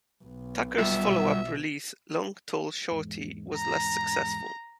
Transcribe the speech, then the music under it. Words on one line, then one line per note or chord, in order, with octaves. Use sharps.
Tucker's follow-up release, "Long Tall Shorty", was less successful.
B1 B2
G3 F4 E5
E2 G#2
A#5